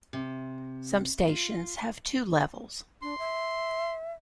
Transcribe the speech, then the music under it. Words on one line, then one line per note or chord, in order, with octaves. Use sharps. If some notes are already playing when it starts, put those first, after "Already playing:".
Some stations have two levels.
C3
F4
D4 C6
E5